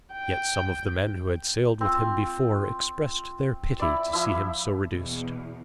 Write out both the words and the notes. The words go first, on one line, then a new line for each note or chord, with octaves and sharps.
Yet some of the men who had sailed with him before expressed their pity to see him so reduced.
G5
C4 F4
E4 D5
F3 E4
E2 B2